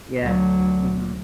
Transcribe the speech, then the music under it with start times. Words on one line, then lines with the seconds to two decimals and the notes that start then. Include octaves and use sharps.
Yes, mhm.
0.19 D2 F#3